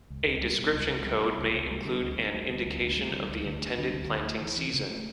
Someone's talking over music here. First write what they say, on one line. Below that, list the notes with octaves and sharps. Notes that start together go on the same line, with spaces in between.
A description code may include an indication of the intended planting season.
C#2
C#2
G3
B2
C#2
C#2
G3
B2
C#2
C#2
G3
D3
D2
D2
G3
D3
D2
D2
G3
D3
D2
D2
G3
D3
D2
D2
A3
E3
C#4
C#3
A3